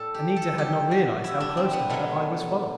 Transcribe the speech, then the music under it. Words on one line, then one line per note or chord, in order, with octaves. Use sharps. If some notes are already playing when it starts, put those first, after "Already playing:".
Anita had not realized how close to her I was following.
Already playing: A2 G3 A4
G4
A4
G4
F#4
E4
D4
C4
B3
B2 F#3 A3